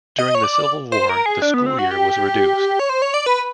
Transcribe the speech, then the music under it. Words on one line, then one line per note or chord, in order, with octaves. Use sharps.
During the Civil War, the school year was reduced.
D#5
C#5
D5
C5
A#4
G#4
D4
B3
C4
F#4
G4
C#5
C5
C#5
D5
B4